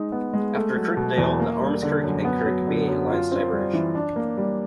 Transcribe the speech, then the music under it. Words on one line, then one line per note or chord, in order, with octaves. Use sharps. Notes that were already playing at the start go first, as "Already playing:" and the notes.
After Kirkdale, the Ormskirk and Kirkby lines diverge.
Already playing: G#3 D#4
B3
G#3
A3
F#3
B2
E2
A#3
G3
D3
F#2
B3
F#3
D3
F#2
F4
C4
G3
E3
D4
A#3
G3